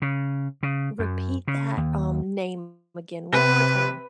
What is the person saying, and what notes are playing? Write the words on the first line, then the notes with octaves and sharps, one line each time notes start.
Repeat that, um, name again one more time.
C#3
C#3
F#2
C#3
D#2
C3 B4